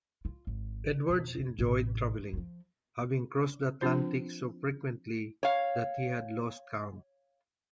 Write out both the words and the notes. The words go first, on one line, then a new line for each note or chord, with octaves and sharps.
Edwards enjoyed traveling, having crossed the Atlantic so frequently that he had lost count.
F4
G#1
F2 B2
A1 C3
E3
F3 F#3
F3 C4 D4 F4 C5
C#5 F5